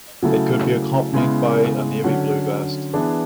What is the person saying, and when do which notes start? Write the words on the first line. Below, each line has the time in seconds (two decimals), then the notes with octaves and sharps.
It could be accompanied by a navy blue vest.
0.23 C#3 F#3 A3 E4 A4
1.13 C#3 G#3 B3 E4
2.04 D3 F#3 C#4
2.94 E3 B3 D4 G#4